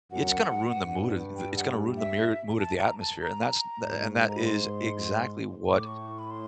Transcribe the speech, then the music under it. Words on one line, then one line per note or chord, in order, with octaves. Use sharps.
it's gonna ruin the mood of the it's gonna ruin the mere mood of the atmosphere, and that's th th and that is exactly what
F#2 F#5
G2
G5
F#5
E5
A5
A#5
A5
A#5
G#2
A#5
B5
C6
A2 C#6
D6
C#6
B5
C6